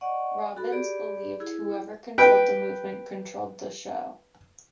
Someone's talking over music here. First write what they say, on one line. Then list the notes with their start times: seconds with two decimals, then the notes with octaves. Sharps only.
Robbins believed whoever controlled the movement controlled the show.
0.01 D5 D#5 F#5 C#6
0.57 F#4 A4 B5
0.71 G4 G#4 D5 B5
1.40 E4 G#4
2.18 B4 G5